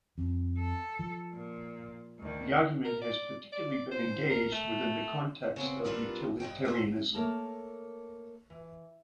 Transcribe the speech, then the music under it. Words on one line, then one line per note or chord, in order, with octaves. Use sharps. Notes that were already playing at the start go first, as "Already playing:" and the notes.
The argument has particularly been engaged within the context of utilitarianism.
F2
A4
F3
A#2
D2 D#3
A#4
D5
D5
C5
A#4
A3
C#3 B3 C4
G3 C4 D4 F4 A#4 B4
G2 E3 D#5 G5
A3 E4 F4 C5
A3 A#3 A4 A#4 C#5 A5
E3